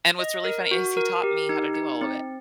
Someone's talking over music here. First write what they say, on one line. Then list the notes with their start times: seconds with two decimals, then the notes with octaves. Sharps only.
and what's really funny is he taught me how to do all of it.
0.19 D#5
0.45 A#4
0.71 F#4
0.97 A#4
1.23 G4
1.49 D#4
1.74 D#4
2.01 C4